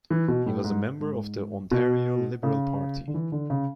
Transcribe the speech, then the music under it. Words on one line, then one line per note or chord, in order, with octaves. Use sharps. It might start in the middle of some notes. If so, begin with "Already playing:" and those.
He was a member of the Ontario Liberal Party.
E3
B2
A2
G#2
G#2
B2
C#3
D3
E3
D3
C#3